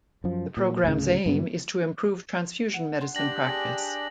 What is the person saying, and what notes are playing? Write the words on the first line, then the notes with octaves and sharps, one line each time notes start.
The programme's aim is to improve transfusion medicine practise.
F#2 F3
A#2 F#3
D2 A2 C#3
G2 D3 F#3 B3
F#5
C6
D4 G4 A#6 F#7
G#4 G5